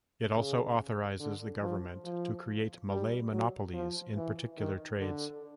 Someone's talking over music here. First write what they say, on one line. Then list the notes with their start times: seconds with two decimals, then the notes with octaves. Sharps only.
It also authorises the government to create Malay monopolies in particular trades.
0.36 C#3
1.20 D3
1.62 F3
2.05 F3
2.89 G3
3.31 F#3
3.73 F3
4.16 E3
4.58 D#3
5.00 D3